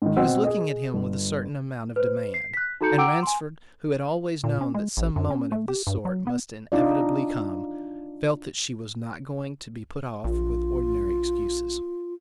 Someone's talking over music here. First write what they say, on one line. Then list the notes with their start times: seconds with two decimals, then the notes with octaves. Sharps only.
She was looking at him with a certain amount of demand--and Ransford, who had always known that some moment of this sort must inevitably come, felt that she was not going to be put off with ordinary excuses.
0.02 G#2 D#3
0.17 B2 C4 D#5 F#5 C6 E6
0.43 G#4 D#5
0.94 G1
1.96 B4 C5
2.34 C7
2.53 F#6 B6
2.81 D#4 F#4 A4 A#5 G6 C#7
2.97 F#5 G5 A#5 D6 E6 D7
3.23 G#5 C6
4.44 A#2
4.61 C#4
4.74 G#3
4.97 A1
5.16 F#2
5.30 C#4
5.52 A3
5.68 G4
5.87 G2
6.05 F#3
6.27 B3
6.72 D4 D#4 F4 D5
10.24 A#1 F4